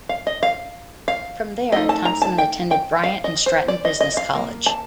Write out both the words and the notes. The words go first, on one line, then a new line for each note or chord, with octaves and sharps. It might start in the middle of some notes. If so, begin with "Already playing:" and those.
From there Thompson attended Bryant and Stratton Business College.
F5
D#5
F5
F5
A3 D#4 D#5
A5
A#5
A5
G5
G5
F5
D#5
C5
D5
D#5
D#5
F5
F3 A#3
A5